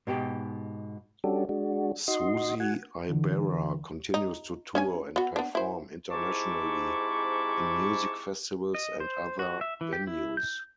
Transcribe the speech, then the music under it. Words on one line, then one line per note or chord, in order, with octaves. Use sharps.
Susie Ibarra continues to tour and perform internationally in music festivals and other venues.
G#2 B2 G4 G5
G3 C#4 D4 F#4 G4 A4
G#3 D4 F#4
D#4 F#4 D#5 C6
F#4 F#5 G#5
D3 E3
D#4
C#4 C#5 G#5
B3 F#4
B3 D4
E4 C5
G#2 C3 E4 A5 C#6 D6
D#5
C5
F#4
E5
E3
G4
E4
G6